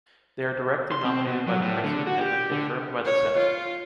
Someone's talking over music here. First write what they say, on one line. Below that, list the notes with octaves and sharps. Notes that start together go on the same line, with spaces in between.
They are directly nominated by the President and then confirmed by the Senate.
C6
C4
B2
F#3
A2
D3
F#4
G4
D3
C#5
F4